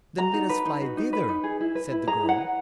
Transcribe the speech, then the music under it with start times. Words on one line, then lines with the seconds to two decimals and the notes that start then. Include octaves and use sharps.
"Then let us fly thither," said the girl.
0.18 F#4 A#5
0.33 D#4
0.49 B4
0.66 D#4
0.82 F#4
0.97 D#4
1.13 B4
1.29 D#4
1.44 G#4
1.61 E4
1.75 B4
1.92 E4
2.07 G#4 A#5
2.23 E4
2.29 F#5
2.38 B4